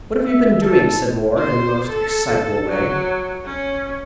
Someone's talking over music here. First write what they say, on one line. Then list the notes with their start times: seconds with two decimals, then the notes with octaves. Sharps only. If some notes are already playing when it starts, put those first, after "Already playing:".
"What have you been doing?" said Moore, in a most excitable way.
0.24 E5
0.62 A4
1.37 C5
1.88 A4
2.68 F#3
3.45 C#4